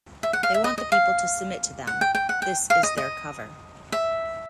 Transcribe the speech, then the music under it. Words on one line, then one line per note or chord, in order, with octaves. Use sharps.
They want the people to submit to them, this is their cover.
E5
F#5
F5
E5
D#5
D#5
F5
F#5
G5
G5
F#5
G5
F5
D#5
D#5
E5